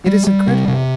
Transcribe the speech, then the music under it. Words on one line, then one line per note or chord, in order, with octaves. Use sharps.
It is incredible!
G3
G3
C3
C3